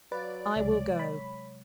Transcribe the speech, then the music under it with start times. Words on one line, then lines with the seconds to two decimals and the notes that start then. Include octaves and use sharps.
I will go.'
0.12 F#3 B4 D5 F5 F#6
0.56 C#2 C3 F#3 G#3 C#5
0.99 B5